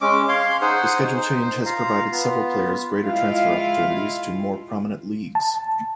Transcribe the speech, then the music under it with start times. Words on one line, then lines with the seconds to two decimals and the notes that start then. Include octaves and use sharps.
The schedule change has provided several players greater transfer opportunities to more prominent leagues.
0.01 G#3 C#4 D6
0.29 C#5 F5 C6
0.61 D#4 G#4 C5 F#5
1.16 D#4 C5
1.66 F4 F5 A#5
2.12 B3 F4
3.06 G#3 E4 F4 F5
5.35 A5